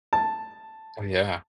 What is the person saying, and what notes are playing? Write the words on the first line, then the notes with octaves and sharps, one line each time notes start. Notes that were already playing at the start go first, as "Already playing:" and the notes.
Oh yeah.
A5